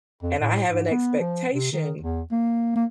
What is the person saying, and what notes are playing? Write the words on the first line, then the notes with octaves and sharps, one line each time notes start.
and I have an expectation
F2
A2
G#2
B3
F3
C3
D#3
E2
A#3
A#3